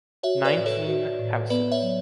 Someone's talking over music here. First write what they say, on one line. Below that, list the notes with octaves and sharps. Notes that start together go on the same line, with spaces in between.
Nineteen houses.
F#4 C#5 E5
B4 D5
A2
A4 C#5
F#4
A2
B3 B4 D5
C#5 E5
F#3